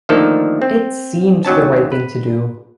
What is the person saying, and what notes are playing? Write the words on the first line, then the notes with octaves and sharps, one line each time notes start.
It seemed the right thing to do.
D3 D#3 F3 A3 A#3 A4
C4
D#2 F#3 C#4 A5
B4